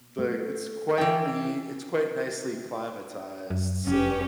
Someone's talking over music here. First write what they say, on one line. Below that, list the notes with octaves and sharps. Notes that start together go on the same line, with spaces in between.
like, it's quietly it's quite nicely climatized, so,
A3
E3 C#5 G5 G#5
F#2
F1 C#4 G4